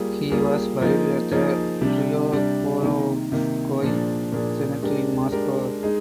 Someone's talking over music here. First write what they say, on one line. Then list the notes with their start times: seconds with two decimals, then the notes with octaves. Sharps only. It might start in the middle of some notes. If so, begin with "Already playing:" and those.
He was buried at the Troyekurovskoye Cemetery in Moscow.
Already playing: G3 A#3 F4 G#4
0.30 G3 A#3 F4 G#4
0.81 F3 A#3 D#4 G#4
1.32 F3 A#3 D#4 G#4
1.81 C3 G3 D4
2.32 C3 G3 D4
2.82 C3 D#3 A#3
3.32 C3 D#3 A#3
3.82 A#2 F3 A#3 D4 G#4
4.32 A#2 F3 A#3 D4 G#4
4.82 G#3 D4 G4 A#4
5.32 G#3 D4 G4 A#4
5.83 G#3 D#4 G#4